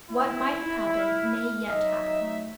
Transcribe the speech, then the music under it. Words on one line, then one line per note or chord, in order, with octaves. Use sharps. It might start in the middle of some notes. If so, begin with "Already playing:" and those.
What might have happened may yet happen.
E4
F6
F#3 D#4 D#5 E5
A3